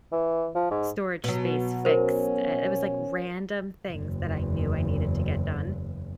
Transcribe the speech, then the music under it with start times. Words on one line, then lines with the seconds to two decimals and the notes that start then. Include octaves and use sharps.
storage space fixed," uh, it was, like, random things that I knew I needed to get done,
0.12 E3
0.55 F3
0.71 G#2
1.24 B2 F#3
1.85 C#4 A#4 C5
3.91 F#1 E2